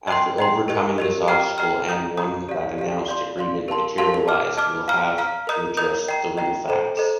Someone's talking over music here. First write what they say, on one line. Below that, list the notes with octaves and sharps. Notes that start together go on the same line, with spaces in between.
After overcoming this obstacle and one the announced agreement materializes, will have to address the real facts.
D#5 G5 C6
D#5 G5 C6
G4 A#4 D#5
G4 A#4 D#5
D#5 G5 A#5 F6
D#5 G5 A#5 F6
D#5 A#5 D#6 G6
D#5 A#5 D#6 G6
G4 D5 F5
G4 D5 F5
D5 F5 C6
D5 F5 C6
G4 A#4 F5 A5 C6
G4 A#4 F5 A5 C6
D#5 A5 D6 F6
D#5 A5 D6 F6
F5 A#5 F6
F5 A#5 F6
A#4 D#5 A#5 D#6 G6
A#4 D#5 A#5 D#6 G6
D#5 G5 A#5
D#5 G5 A#5
A4 C5 D#5 A#5
A4 C5 D#5 A#5